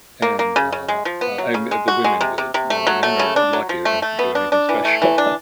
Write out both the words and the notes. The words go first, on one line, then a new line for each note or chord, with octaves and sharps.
And, uh, uh, I men the women did, now the men are lucky, they don't have to do anything special
A#3
A#3
C#3
C#3
G#3
F3
B3
F#3
C#3
G#3
F#4
G#3
C3
C3
C3
A3
F#3
A3
C#3
D4
F#3
F3
A3
A3
B3
D4
D4
E3
A3
E3
D4